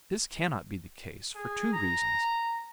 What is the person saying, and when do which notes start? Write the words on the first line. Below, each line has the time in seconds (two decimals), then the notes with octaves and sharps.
But this cannot be the case for two reasons.
1.35 G#4
1.73 A#5